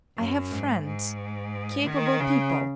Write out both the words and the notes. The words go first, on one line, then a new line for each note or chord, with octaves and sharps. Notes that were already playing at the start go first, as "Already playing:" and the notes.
I have friends... capable people....
F#2
G#2
G#2
D#3
C#3